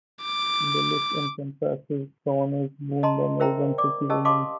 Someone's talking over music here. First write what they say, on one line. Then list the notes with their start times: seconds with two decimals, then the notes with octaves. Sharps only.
The list encompasses the honours won by Melbourne City Women.
0.23 D6
3.03 D#5 A5 A#5 C6
3.40 A#4 C5 E5 G5 A#5
3.78 D5 D6
4.09 C#4 G4 D#5 A5 E6
4.25 D#5 F5 A5 C6 D6 D#6